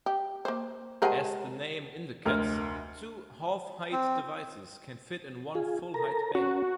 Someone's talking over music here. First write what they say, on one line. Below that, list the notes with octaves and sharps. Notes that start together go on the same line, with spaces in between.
As the name indicates, two half-height devices can fit in one full-height bay.
G4
A#3 C5
G#3 G4 A#4 C5 F#5 A5
F1 D2 A#4 F6
C4
F4 G#4
A4 A#4 A#5
C#4 F#4